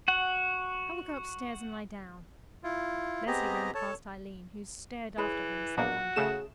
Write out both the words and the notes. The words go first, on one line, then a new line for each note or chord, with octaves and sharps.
"I will go upstairs and lie down." Leslie ran past Eileen, who stared after her in some wonder.
F#4 F#5
E4 F4
B3 C4 G4 G#4 D#5 A#5
A4 C#5 A5
E3 G#4 C#5 B5
A#1 B2 A#3 F#4
C#3 A3 G#4 E7